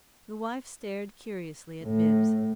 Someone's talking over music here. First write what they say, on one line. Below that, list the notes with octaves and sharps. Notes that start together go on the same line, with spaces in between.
The wife stared curiously at Bibbs.
A2